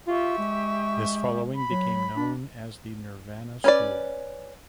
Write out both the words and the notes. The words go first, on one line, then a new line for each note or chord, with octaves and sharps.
This following became known as the Nirvana School.
F4 G4 E5 C#6
G#3
B5
F#3
D4
C#4 B4 D5